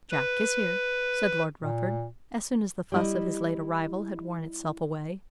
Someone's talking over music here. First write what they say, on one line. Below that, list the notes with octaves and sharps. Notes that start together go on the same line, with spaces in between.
"Jack is here," said Lord Rufford, as soon as the fuss of his late arrival had worn itself away.
B4
A#2
G3 E4 D#5